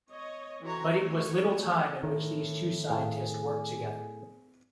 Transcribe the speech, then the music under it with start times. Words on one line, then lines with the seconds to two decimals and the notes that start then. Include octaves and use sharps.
But it was little time in which these two scientists worked together.
0.11 C#5 D#5
0.61 E3 C4 F#4 A4 C#5 A#5
0.97 A3 F#4 C#5
2.03 A2 D#3
2.90 A2 G#4 F5 G5